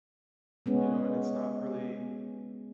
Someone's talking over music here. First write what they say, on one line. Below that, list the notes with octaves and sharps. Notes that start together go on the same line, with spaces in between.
You know, and it's not really
G#3 B3 C#4